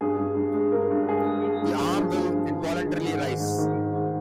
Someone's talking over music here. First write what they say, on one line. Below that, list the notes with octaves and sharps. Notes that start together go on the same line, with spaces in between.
The arm will involuntarily rise.
G2 G#4
G2
G2
G#3
G2 A#4
G2
G#3 G#4
G#3
G#3 G#4
G2
F3
G2
F3
G2
G2
G#3
D#3
G#2
D#3
G#2
D#3
G#2
G#2